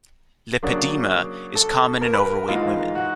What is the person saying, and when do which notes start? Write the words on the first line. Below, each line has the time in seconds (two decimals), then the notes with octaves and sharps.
Lipedema is common in overweight women.
0.63 C#3 F#3 A#3 D4
1.55 A4
2.01 A#4
2.13 B4
2.26 A#4
2.48 G#2 E3 G#3 F4
2.95 F#4